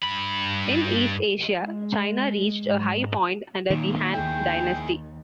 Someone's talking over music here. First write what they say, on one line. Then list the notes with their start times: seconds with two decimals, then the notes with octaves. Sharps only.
In East Asia, China reached a high point under the Han Dynasty.
0.02 G2 B5
1.59 G#3
2.64 G#2
3.70 D#2 A#2 D#3
4.13 D#2 E4 G#4 G5